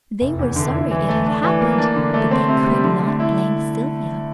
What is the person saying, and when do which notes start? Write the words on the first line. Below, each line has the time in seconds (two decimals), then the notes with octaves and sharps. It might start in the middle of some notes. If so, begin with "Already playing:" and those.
They were sorry it had happened, but they could not blame Sylvia.
0.21 F1
0.39 E2
0.56 D3
0.73 E4
0.91 E3
1.08 A3
1.26 D4
1.44 E3
1.61 A#3
1.78 D4
1.96 D3
2.14 A3
2.31 C4
2.49 C3
2.66 G3
2.84 D3
3.02 A3
3.20 E4